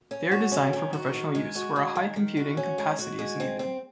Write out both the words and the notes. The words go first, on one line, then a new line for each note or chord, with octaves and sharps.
They are designed for professional use, where a high computing capacity is needed.
C#4
F#4
C#4
D#3
F#4
D#3
G#3
F#4
G#3
D#3
D#3
F#4
C#4
G#3
F#4
G#3
C4
C4